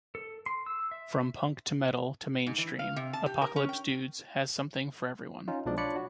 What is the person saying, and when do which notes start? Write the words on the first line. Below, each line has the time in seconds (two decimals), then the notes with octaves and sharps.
From punk to metal to mainstream, "Apocalypse Dudes" has something for everyone.
0.15 A4
0.46 C6
0.66 E6
0.91 E5
2.46 G#2
2.58 E3
2.79 F5
2.96 C3
3.13 A5
3.26 G4
3.42 A#4
3.56 C#4
3.69 G5
5.48 C#4 D#4 F4
5.65 B1 B2 F3 G#3 D4 D5
5.77 D4 F4 C#5 D5 B5 C#7
5.96 F#4